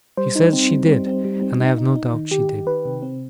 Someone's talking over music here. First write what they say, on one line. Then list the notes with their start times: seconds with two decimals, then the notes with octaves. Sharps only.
She said she did, and I have no doubt she did.
0.17 G3 C5
0.35 D#4
0.53 C4
0.71 G3
0.89 G3
1.07 C4
1.25 G3
1.42 C4
1.60 D#4
1.78 D#4
1.96 D#4
2.13 D#3
2.31 D#3 G4
2.49 D#3
2.67 D#3 B4
2.85 C3
3.02 C4